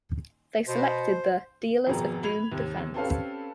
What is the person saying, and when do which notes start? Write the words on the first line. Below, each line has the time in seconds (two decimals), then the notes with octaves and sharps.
They selected the "Dealers of Doom Defense".
0.68 B2 C5
1.87 G#1 F2 B2 G#4 G5 A#5
2.23 B5 G#6 F7
2.52 D#2 C3
2.94 C4 C#4 G4 A4 B4 F5